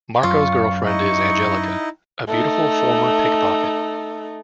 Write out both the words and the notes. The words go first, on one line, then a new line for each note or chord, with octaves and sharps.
Marco's girlfriend is Angelica, a beautiful former pickpocket.
F#2 F4 C#6
D#4 E4 D#5 C#6
A3 D#4